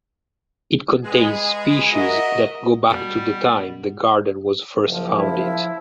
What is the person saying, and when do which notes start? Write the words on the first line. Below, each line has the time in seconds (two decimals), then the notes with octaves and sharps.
It contains species that go back to the time the Garden was first founded.
1.05 G#3 B3 G#4
1.91 F#4 A#4 D#5 E5
2.90 B2 G3
4.85 F#1 F3
5.16 E4